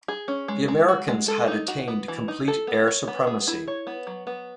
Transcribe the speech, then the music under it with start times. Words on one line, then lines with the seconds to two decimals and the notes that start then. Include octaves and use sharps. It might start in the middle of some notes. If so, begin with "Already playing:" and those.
The Americans had attained complete air supremacy.
0.08 G#4
0.28 C#4
0.48 G#3
0.68 G#3
0.88 F#4
1.08 G#3
1.28 A4
1.48 D#4
1.68 F#4
1.88 B3
2.08 E3
2.28 D#4
2.48 A4
2.67 B3
2.88 C#5
3.08 B3
3.27 G#4
3.47 E4
3.68 C#5
3.87 B3
4.07 F#3
4.27 B3